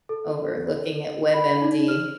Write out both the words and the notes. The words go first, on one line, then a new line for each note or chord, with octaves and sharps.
over looking at WebMD.
A4
B5
D#4 D5
F6